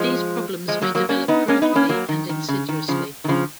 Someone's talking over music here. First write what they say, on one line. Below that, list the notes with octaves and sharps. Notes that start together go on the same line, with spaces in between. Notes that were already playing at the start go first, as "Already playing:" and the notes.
These problems may develop gradually and insidiously.
Already playing: F3 G#3
F3 G#3
F#3 A#3
F#3 A#3
A#3 C#4
B3 D#4
A#3 C#4
B3 D#4
A#3 C#4
F#3 A#3
D#3
D#3
C#3
D#3
C#3 F3
D#3
C#3 F3